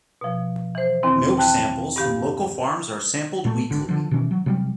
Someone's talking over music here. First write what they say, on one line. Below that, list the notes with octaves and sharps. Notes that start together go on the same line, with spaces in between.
Milk samples from local farms are sampled weekly.
B2 F3
E3 C5
E2 D#3 C4 E4
G5 A5 F#6
G2 G4 F5
A#2 A3
G#1 D3
D3 F3
B2 D#3 E3 C#4
F#3
C3 F#3 G3